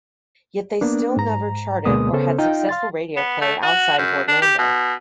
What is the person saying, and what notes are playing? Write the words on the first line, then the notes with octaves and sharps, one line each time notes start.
Yet they still never charted or had successful radio play outside of Orlando.
A#3 B3 D4
G#2 A#5
D2 B2 G#3 A#3 B3 D#6
C#3 B3 C#4 A4 C5
D#4 F4 D#5 F5 G5
F5 C6 A6
B3
A3
F#4
F#2
D4
G4
B2